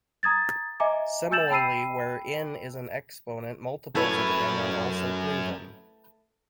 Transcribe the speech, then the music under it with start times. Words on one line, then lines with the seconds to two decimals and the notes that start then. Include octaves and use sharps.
Similarly, where "n" is an exponent, multiples of "n" are also proven.
0.23 A#5 D#6 G#6 A6
0.80 D#5 E5 G#5 A#5 D6
1.32 G#5 E6 G6 A6 E7 F#7
1.50 G5 A5 B5 E6 C7 D#7
3.95 F#2 A3 E4 B4 C#5